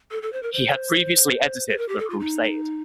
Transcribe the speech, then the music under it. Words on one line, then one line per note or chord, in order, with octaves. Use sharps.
He had previously edited "The Crusade".
A4
A4
C5
A#4
C5
C5
A#4
G4
A4
F4
D#4